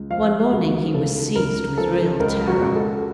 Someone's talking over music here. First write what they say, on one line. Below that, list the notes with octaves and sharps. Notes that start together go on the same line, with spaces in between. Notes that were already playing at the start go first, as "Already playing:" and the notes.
One morning, he was seized with real terror.
Already playing: C#2
F3 F5
C#2 F#4
C#3 A4
C#2 A#4
F3 A4
C#2 A#4
F#4
C#2
A4